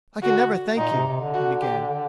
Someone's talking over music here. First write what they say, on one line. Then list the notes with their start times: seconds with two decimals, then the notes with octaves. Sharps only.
"I can never thank you," he began.
0.22 D3 F#4
0.78 A#2 D#4
0.92 C3
1.07 C3
1.21 D3
1.34 F#4
1.62 G4